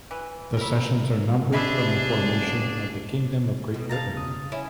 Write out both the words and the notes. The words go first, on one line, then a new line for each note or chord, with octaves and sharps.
The sessions are numbered from the formation of the Kingdom of Great Britain.
E3
E4 A#4
C3 G#3 D4 E4 G#4 E5
F#1
B2
F5 A5 A#5
C#3 D#6
C#4 E4